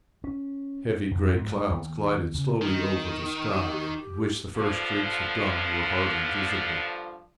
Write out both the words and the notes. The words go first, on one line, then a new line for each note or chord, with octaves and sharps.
Heavy grey clouds glided slowly over the sky, in which the first streaks of dawn were hardly visible.
C#4
F2
G#2
G#3
D#2
C#3
D#3
G4
G4
G2 D3 F3